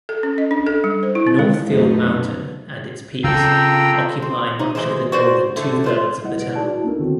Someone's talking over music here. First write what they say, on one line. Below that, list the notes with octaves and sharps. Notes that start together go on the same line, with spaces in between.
Northfield Mountain and its peaks occupy much of the northern two-thirds of the town.
A4
C#4
D#5
D4
A4
G3
C5
E4
C4
G#3
F#2 C3 F3 A3 B3 D#4
C#3 F4 A4 G5 A#5 E6
C4
D#4
E3 G#3 C5
F#4 C5 D5
D3 A3
A3 F4 C5
G3 E4 D#5 F#5
B4 D7
D#4 F#4 G#4 D5 A5
E4 F#4
A#3 B3 D4 D#4 A4 A#4
D3 D#3 C4 F#4